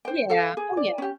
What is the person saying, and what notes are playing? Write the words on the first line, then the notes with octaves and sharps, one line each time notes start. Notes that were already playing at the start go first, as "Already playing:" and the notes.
Yeah. Oh yeah,
C5 G5
A4 F5
G#4
D5
C#4 G4